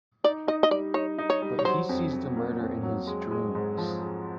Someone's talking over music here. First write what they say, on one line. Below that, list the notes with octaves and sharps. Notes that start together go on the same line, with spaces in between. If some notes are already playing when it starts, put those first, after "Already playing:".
But he sees the murder in his dreams.
D#4 D5
D#4 D#5
D#5
G3 D5
D#4 C#5
D#4
C#5
G3
C#5
F#3 C5
F2
F2
A#3
F2
F#3
G#3
G#3
G#2
F3
G#3